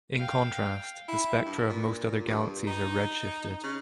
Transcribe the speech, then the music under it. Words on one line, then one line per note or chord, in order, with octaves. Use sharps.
In contrast, the spectra of most other galaxies are redshifted.
F5 G5
E4
G2
A#2
G2
D#4
C#3